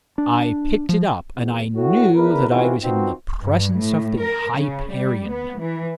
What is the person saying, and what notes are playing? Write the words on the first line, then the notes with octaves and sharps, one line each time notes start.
I picked it up, and I knew that I was in the presence of the Hyperion.
D4
F3
E2
A2 F#4
E2 A#4 B4
A2 C3 D#3 E3 F4 F#4
B2 D#3 C4 D#4 F4 F#4
G2
A2
A#4
C#3
G3
B3
E3